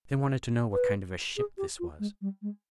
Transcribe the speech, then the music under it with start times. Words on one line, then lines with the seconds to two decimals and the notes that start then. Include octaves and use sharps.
They wanted to know what kind of a ship this was.
0.73 B4
1.37 G#4
1.57 G4
1.79 F4
1.99 G#3
2.21 G3
2.42 G#3